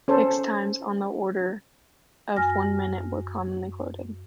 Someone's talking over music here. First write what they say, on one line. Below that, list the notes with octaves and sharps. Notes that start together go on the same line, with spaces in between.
Fix times on the order of one minute were commonly quoted.
C#4 A4 C5
F#2 G#5 F6 A#6